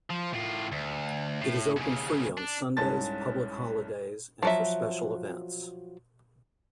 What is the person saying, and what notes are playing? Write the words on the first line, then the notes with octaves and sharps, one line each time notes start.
It is open free on Sundays, Public Holidays and for special events.
F3
A2 F4
D2
A2
D#2 C#3
D4
C2 G#2 C#4 A5 A6
F3 F#3 E5